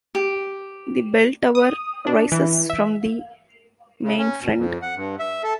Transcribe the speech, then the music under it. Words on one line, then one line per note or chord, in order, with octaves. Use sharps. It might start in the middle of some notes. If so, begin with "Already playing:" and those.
The bell tower rises from the main front.
G4
D#6
D4
E3
E5
C#3
C#4
B2
F2
F#5
G2
E5
A4